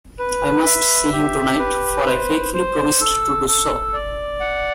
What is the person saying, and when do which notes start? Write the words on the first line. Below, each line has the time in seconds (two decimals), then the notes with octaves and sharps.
I must see him tonight, for I faithfully promised to do so.
0.19 B4
0.65 E5
1.13 G4
1.59 B4
2.07 C5
2.54 C5
3.01 A4
3.48 A4
3.93 D5
4.40 F#5